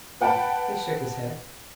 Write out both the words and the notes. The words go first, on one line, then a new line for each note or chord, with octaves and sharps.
He shook his head.
B4 F#5 G5 A5 B5